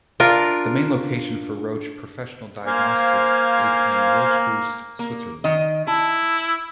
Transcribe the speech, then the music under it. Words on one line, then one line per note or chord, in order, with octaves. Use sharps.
The main location for Roche Professional Diagnostics is in Rotkreuz, Switzerland.
D4 F4 A#4
A#3 C5 F5 G#5
A#3
D#3 D#5
E4 A5